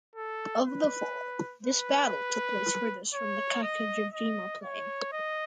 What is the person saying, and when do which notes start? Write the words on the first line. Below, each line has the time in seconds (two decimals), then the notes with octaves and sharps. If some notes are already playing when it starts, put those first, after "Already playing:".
Of the four, this battle took place furthest from the Kawanakajima plain.
0.16 A4
0.66 B4
1.65 B4
3.14 C#5
3.63 D#5
4.13 D#5
4.63 C#5
5.12 D#5